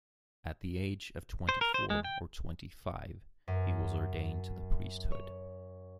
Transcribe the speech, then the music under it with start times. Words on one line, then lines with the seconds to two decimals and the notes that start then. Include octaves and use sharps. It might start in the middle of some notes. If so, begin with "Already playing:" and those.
At the age of twenty-four or twenty-five, he was ordained to the priesthood.
1.49 C5
1.61 A#4
1.74 C5
1.90 G#3
2.04 G5
3.48 F#2
5.12 C#5